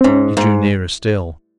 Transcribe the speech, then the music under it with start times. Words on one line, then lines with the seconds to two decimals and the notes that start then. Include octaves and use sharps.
He drew nearer still.
0.01 C4
0.04 G#2 C#4
0.37 G#2